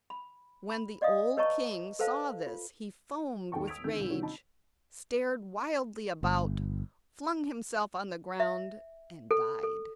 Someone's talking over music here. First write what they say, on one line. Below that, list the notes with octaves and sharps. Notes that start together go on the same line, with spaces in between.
When the old king saw this he foamed with rage, stared wildly about, flung himself on the ground and died.
B5
B5
D5 D#5 F5 D#6
B4 C#5 D#5 A5 A#5 C#6
A4 B4 C5 F5 A5
F4
D#2 G#4 A4 G5 A5 C#6
D#6 E6 G#6 B6 D7 F7
D2 D#3 E6 G6
C2 D#3
C3 D#3 G3 C#4 F#4
D#4 A5 B5
G1
E5
A4
A4